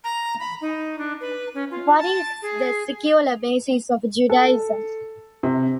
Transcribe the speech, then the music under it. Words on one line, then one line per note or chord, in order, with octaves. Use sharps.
What is the secular basis of Judaism?
A#5
B5
D#4
D4
B4
C#4
F4
A5
G#4
A4
C3